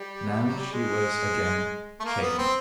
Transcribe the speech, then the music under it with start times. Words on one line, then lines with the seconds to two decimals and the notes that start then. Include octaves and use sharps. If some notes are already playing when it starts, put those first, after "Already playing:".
Now she was again shaken.
Already playing: G3
0.46 F#3
0.59 G3
0.72 G#3
1.99 A3
2.04 A#3
2.21 B3
2.38 C4